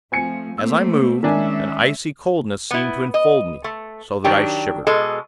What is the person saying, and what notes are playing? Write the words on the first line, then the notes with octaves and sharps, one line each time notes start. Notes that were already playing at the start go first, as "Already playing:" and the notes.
As I moved, an icy coldness seemed to enfold me, so that I shivered.
F3 A3 C4 G#5 C#7
A3 A#3 C4 E6
D#3 G#3 C#4 D4 E5 G#5
B3 E4
D#5
A3
D#3 F#3 D4 G4
B2 G#3 A4